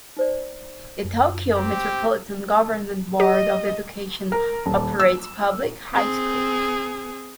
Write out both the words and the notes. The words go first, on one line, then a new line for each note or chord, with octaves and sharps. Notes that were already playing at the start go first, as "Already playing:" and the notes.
The Tokyo Metropolitan Government Board of Education operates public high schools.
D#4 C5 D5
F#2
C4 G4
G4 D#5
A#4
D#1
E6
C4 G#4